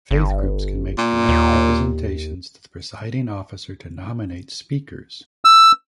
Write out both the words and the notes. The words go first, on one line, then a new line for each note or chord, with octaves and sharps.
Faith groups can make direct representations to the Presiding Officer to nominate speakers.
G1
A#2
D#2
E6